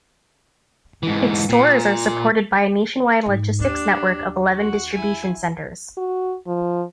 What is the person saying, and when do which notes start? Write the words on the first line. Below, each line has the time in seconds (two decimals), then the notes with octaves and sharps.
Its stores are supported by a nationwide logistics network of eleven distribution centers.
1.03 G#2 E3
1.49 A#2
3.26 G#2
3.60 D#2 D4 G4
4.54 F#4
4.92 E4 G#5
5.97 F#4
6.47 F3